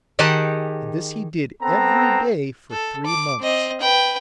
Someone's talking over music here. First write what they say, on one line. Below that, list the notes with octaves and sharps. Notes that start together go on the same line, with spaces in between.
And this he did every day for three months.
D#3 D#4 G4 G#4 F#5 A5
B3 C4 A4 A#5
A4
D6
C4 D#5
B4 G5